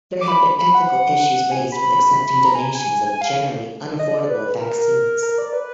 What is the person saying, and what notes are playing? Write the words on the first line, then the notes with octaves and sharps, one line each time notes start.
There have been ethical issues raised with accepting donations of generally unaffordable vaccines.
D6
B5
B5
F#5
G#5
B5
B5
B5
A#5
G#5
G#5
G#5
F5
D#5
D5
B4
A#4
A#4
D5
B4